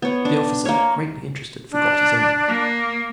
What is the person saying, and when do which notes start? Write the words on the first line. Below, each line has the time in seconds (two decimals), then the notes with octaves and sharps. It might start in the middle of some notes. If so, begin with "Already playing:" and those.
The officer, greatly interested, forgot his errand.
0.02 B3 C#5
0.25 D4
0.65 A#3 C#5
1.71 D4
2.47 A#3